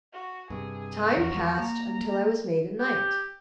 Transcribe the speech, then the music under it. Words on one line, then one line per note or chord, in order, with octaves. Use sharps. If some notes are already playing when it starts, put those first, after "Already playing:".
Time passed until I was made a knight.
F#4
G2 C3 G#4
E2 E3 F3 F#4 A#4
A#3 A#5
G4